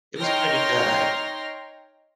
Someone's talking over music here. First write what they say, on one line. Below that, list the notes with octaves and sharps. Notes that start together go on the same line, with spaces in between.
It was pretty good.
D#4 C#5 G5 C6 F6 A#6